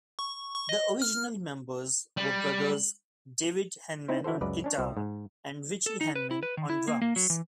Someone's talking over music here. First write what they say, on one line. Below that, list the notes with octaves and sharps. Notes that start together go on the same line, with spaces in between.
The original members were brothers David Henman on guitar and Ritchie Henman on drums.
C#6
C#6
D#5
F6
G3
C4 D#4 E4 C5
E3 E4 F#4 A4 C5
C#2 F#2 C#3 B4 D5
C#4 D4 C#5
C2 F#4 C5 D5
G#2
A4
D#4
B4
E4
B4
D#3
E4
A#3
A#3
F#3
E3